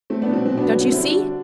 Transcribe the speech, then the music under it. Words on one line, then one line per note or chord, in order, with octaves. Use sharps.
'Don't you see?
A3 C4
B3 D4
B2
C4
B2 C4
B3 D4
F#3
B3
D3 C4
C4 E4
G3
D4 F#4
D3